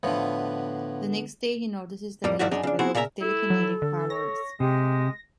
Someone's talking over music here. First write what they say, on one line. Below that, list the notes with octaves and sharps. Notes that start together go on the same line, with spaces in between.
The next day, he notices that he has developed telekinetic powers.
A2 D3 F3 B3
F2 A2 G3 A#3
G2 D#3 G3 A3 E4 F#4
F#2 D4 D#4 G#4
C#3 D4
B3 C4 E4 F#4 G#4 C5
A#2 C#3 A#4 E5 A#5
E4 A4
F#3
D3
C#5 A#6
C3 G#3 G4